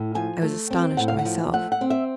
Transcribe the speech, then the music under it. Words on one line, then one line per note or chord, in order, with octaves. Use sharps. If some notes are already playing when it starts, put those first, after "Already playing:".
I was astonished myself.
Already playing: A2
F3 G#5
A3
C4
A2 F#5
F5
F#5
F3
A3 F#5
F#5
C4
E5